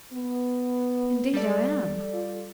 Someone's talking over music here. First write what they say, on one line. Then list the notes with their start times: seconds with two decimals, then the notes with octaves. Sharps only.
"Indeed I am."
0.13 B3
1.34 G3 A4 D5
2.14 F4